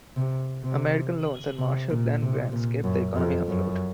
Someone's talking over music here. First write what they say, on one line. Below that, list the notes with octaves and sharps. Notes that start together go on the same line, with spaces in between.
American loans and Marshall Plan grants kept the economy afloat.
C3
C3
C3
A#2
C3
A#2
F#2
F2
F#2